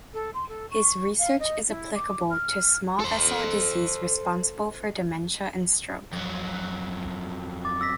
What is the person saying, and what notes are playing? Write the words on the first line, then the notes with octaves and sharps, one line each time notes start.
His research is applicable to small vessel disease responsible for dementia and stroke.
A4
C6
A4
C#6
F5
D#5
E4
D6
F6
A4 C5
F2 F#3
D6 A6
E6 A#6 B6